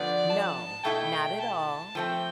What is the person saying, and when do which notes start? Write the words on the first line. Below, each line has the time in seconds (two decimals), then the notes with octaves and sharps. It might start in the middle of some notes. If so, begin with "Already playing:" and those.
No, not at all.
Already playing: D3 F3 B3 D5
0.29 A5
0.84 B2 A3 E4 A4 G5
1.40 A5
1.95 F3 A3 C4 G5